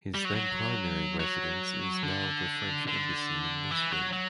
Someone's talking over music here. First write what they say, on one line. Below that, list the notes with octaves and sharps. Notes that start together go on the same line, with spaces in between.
His then primary residence is now the French Embassy in Lisbon.
G3
F#3
F#3
F#3
D3
D3
E3
F#3
F#3